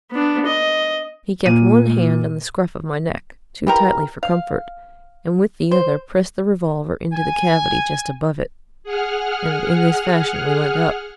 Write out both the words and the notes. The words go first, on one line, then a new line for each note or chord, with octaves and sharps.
He kept one hand on the scruff of my neck--too tightly for comfort--and with the other pressed the revolver into the cavity just above it, and in this fashion we went up.
B3 D4
D#5
A#2 D#7
E3 G4 A#4
F5
C5
G#5
G#4 F#5 F6